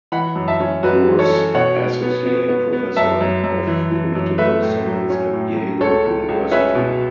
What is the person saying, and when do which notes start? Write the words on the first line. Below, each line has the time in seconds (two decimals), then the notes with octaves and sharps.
He was Associate Professor of Political Science at Yale University.
0.12 E3 F#5 B5
0.35 F#2
0.48 E5 A5
0.60 C#4
0.83 F#2 F#4 B4
1.07 E3
1.19 A4 C#5
1.30 C#4
1.54 B2 C#5 F#5
1.77 B2
2.02 B3
2.26 B3
2.48 B3
2.73 B3
2.96 F#2 E5 A5
3.21 F#2
3.44 F#2
3.67 E3
3.91 E3
4.15 F#2
4.38 A3 B4 E5
4.62 A2
4.86 F#3
5.10 C#4
5.33 A2
5.56 F#3
5.80 C#2 A4 C#5
6.05 C#2
6.28 C#2
6.51 C#4 B4 E5
6.75 B2